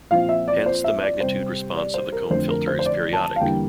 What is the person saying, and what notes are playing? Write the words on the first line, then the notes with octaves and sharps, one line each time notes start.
Hence the magnitude response of the comb filter is periodic.
A#2 F3 C4 F5
E5
D5
C5
E5
D5
C3 G3 C4 C5
D5
C5
A#4
F2 D3 A3 C4 C5
A#4
C5
C5
D5
A5
F5
E2 D3 G3 A#3 G5